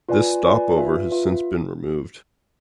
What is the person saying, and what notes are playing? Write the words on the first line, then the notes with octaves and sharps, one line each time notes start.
This stopover has since been removed.
F4 B4 D5 G#5
F4 B4 D5 G#5
F4 B4 E5
F4 B4 E5